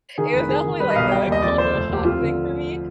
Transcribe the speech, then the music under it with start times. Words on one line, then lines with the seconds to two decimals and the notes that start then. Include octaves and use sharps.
It was definitely like a cultural shock thing for me
0.18 D#3 G#4
0.33 F1 B4
0.49 D#3 G#4
0.64 D#3
0.80 G3 B4
0.90 D#5
0.96 B1 F5
1.11 G3 G5
1.27 D#2 D#5
1.42 F2 D5
1.58 F2 C5
1.74 F1
1.89 D#2 G4
2.05 F2 F4
2.21 D3 F4